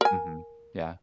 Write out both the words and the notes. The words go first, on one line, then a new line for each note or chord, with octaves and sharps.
Mhm. Yeah.
A#4 G#5